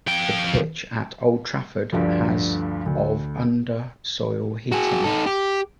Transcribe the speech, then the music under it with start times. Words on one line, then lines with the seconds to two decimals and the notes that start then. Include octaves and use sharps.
The pitch at Old Trafford has of under-soil heating.
0.07 F3 G5
1.92 D2 G2 D3 F3
2.86 D2
4.72 F#4 G#4
5.04 D#4 A4
5.26 G4